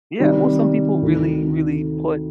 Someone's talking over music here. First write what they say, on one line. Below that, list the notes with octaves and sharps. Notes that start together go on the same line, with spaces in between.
yeah, well, some people really, really put
C3 D#3 G3
D2 C3 D#3